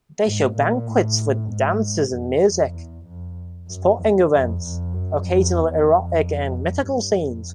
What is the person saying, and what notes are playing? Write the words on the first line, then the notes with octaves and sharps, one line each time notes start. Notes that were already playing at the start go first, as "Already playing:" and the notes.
They show banquets with dances and music, sporting events, occasional erotic and mythical scenes.
G#2
A#2
A2
G#2
F2
F2
E2
F2
F#2
E2
F2
F2
F#2
F2
E2
F2
G2
F2